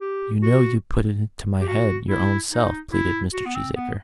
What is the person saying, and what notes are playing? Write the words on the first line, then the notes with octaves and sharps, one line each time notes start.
"You know you put it into my head your own self," pleaded Mr. Cheesacre.
G4
F#4
G4
F#4
E4
D#4
E4
F#4
B3
C4
B3